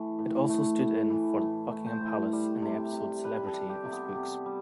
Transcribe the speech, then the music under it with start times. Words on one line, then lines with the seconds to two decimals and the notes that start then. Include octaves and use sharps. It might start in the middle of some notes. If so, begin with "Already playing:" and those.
It also stood in for Buckingham Palace in the episode "Celebrity" of "Spooks".
Already playing: E3 A3
0.19 A2
0.49 A3
0.80 A2
1.10 E3
1.40 A2
1.72 A3
1.86 C5
2.01 A2
2.33 G3
2.62 C3
2.92 C3
3.24 G3 B4
3.47 A4
3.54 G3
3.69 G4
3.85 C3
3.92 B3
4.15 C3
4.46 G3